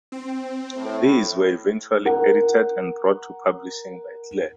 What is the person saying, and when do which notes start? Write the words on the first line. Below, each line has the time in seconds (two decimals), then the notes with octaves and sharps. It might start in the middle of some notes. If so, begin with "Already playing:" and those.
These were eventually edited and brought to publishing by Claire.
0.12 C4
0.77 A2
2.05 A#4 F#5